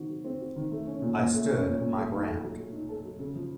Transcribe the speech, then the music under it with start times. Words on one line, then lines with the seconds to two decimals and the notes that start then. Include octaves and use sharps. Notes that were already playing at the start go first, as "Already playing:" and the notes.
I stood my ground.
Already playing: D#3 C4 F#4
0.09 F#3
0.24 C4
0.40 F#4
0.56 D#3
0.71 A3
0.87 C#4
1.02 A#2
1.18 A#2
1.33 A3
1.49 C#4
1.64 A#2
1.80 A#2
1.96 A3
2.12 D#4
2.27 A4
2.43 F#3
2.57 A3
2.73 D#4
2.89 A4
3.04 F#3
3.19 C#3
3.35 F3